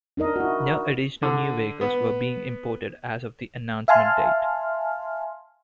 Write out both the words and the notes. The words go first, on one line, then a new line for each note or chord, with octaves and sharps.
No additional new vehicles were being imported as of the announcement date.
D4 D#4 A#4 D#5
E4 F#4
D3
B3
E5 F5 G#5 A5 C6 F6